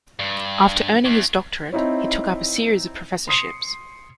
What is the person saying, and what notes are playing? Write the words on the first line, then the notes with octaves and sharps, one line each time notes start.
After earning his doctorate, he took up a series of professorships.
G2
E2
C4 D#4 E4 C#5
C6 D#6 C7 C#7